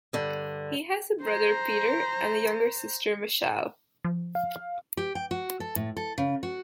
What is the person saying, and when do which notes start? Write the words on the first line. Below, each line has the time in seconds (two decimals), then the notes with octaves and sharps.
He has a brother Peter and a younger sister Michele.
0.13 G2 D3
1.21 C5 A#5
4.04 F3
4.35 F5
4.97 G4
5.15 G5
5.31 F#4
5.60 A4
5.76 A2
5.97 A4
6.18 C#3
6.43 F#4